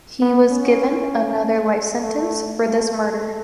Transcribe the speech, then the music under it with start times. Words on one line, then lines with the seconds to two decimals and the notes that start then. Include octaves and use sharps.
He was given another life sentence for this murder.
0.22 B3
0.52 C#4
2.02 A3
2.63 A3